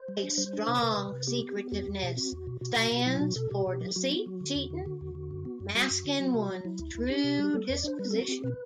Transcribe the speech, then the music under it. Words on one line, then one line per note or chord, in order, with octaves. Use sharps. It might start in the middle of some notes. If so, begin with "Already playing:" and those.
A strong Secretiveness stands for deceit, cheating, masking one's true disposition.
Already playing: C5
G3
D4
G3 C5
D4
C3
C3 B4
C3
C3
B3 G4
B3
B3
E2 G4
E2
B2
C4 F#4
E2
B2
B2 F#4
B2
B2
F#3 E4
B2 F#4
B2 A4
B2 G4
B2
F#3
F#3 F#4
B3
F#3
D3
E2
D3
D3 F#4
E2
D3
F#2
B3
F#2
G3 F#4
F#2
D3
F#3
C3
F#3
F#3 E4
D2
D2
D4 G4
C3
G3 G4
G3 A4
E2 B4
D5
D4 C5
G3 B4
C4 A4
F#4
C4 G4
B2 B4